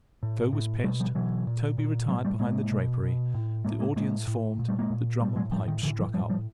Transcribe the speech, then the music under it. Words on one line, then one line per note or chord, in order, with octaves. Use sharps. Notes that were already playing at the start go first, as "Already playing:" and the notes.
The show was pitched, Toby retired behind the drapery, the audience formed, the drum and pipes struck up.
A2
A2
B2 G3 A3
F3 G3
B2 E3 F#3
A#2
A#2
A2 F#3 G#3
G3 A3
A2 G#3 A#3
B2
B2
A2
A2 G#3 A#3
G#3 A#3
A2 G#3 A#3
A2
A#2
G3 A3
G#3 A#3
A#2
A2 G3 A3
F#3 G#3
A2 F3 G3
D#3
A2 D3 E3
E3 F#3
A2 F3 G3
F3 G3